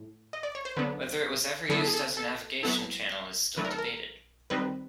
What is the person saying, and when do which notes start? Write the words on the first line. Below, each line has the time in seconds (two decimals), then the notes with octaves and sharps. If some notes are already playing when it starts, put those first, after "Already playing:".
Whether it was ever used as a navigation channel is still debated.
Already playing: A2
0.33 D#5
0.43 D5
0.55 C#5
0.65 C5
0.76 D3 F#3 B3 D4 B4
1.69 D3 F#3 B3 E4 A4
1.87 G#4
1.93 A4
2.17 A4
2.63 F#3 B3 E4 A4
3.57 D#3 F#3 A3 D4 B4
3.65 A#4
3.71 A4
3.78 A#4
4.50 D#3 G3 C4 D#4 B4